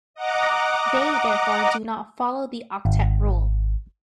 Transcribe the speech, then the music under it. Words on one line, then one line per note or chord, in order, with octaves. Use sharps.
They therefore do not follow the octet rule.
D#5 F#5 A#5 D6
G#1